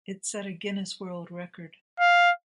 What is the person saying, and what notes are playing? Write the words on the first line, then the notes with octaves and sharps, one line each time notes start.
It set a Guinness World record.
F5